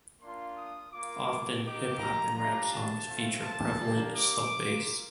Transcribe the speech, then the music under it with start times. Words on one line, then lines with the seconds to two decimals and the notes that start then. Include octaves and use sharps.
Often, hip hop and rap songs feature prevalent sub-bass.
0.21 A#3 D4 F4 C6
0.56 D#6
0.91 A#3 F4 D6
1.64 A#3 D#4 G4 D6
1.99 A#5
2.34 G3 D4 F4 A#5
2.71 A5
3.06 A3 C4 F4
3.42 A5
3.78 A#3 D4 G4
4.14 D6
4.49 A#3 F4